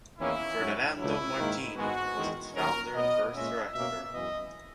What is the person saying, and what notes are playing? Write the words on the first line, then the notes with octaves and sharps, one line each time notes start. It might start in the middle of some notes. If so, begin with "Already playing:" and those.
Ferdinando Martini was its founder and first director.
E2 D#3 A#3 C#4 E4
G#2 F#3 C#4
C#2 B2 F#3 E4
G#2 D#3 A#3
G#2 D#3 G#3 B3 F#4
E2 D#3 G#3
D#2 D#3 F#3 C#4 A#4
B2 F#3 B3 D#5
A#2 G#3 C#4 E5
B2 A#3 C#4 E5
F#2 E3 B3 D#5